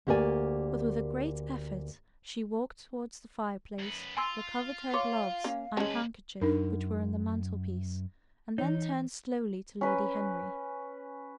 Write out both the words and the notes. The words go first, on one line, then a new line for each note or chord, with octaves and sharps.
But with a great effort she walked towards the fireplace, recovered her gloves and handkerchief, which were on the mantel-piece, and then turned slowly to Lady Henry.
D2 A#3 G4 A#4 D5 G#5
F#2 B3
F4 G#5 C6 E6
C#5 F5 C6 D6
A#3 C#4
D#2 G#3 C#4 B4 A5
F#2 D4 D#4 A#4
E3 D#4 C#5
C#4 B4